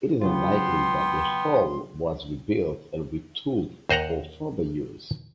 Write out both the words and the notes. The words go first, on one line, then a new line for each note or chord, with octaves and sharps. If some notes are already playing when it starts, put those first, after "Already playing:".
It is unlikely that the hull was rebuilt and retooled for further use.
C#3 F#3 B3 F4 G5 C6
D#2 C5 D#5 F#5 A#5